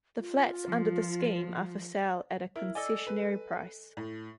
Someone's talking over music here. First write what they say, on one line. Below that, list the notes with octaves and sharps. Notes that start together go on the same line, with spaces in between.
The flats under the scheme are for sale at a concessionary price.
F4
F3
E4 A#4
A4 D5 D#5 G#5
B4
A2